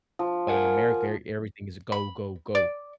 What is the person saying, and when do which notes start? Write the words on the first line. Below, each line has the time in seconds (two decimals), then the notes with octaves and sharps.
But in America, er everything is a go, go, go.
0.19 F3
0.48 A#4 F#5 G#5
1.92 B5
2.55 D5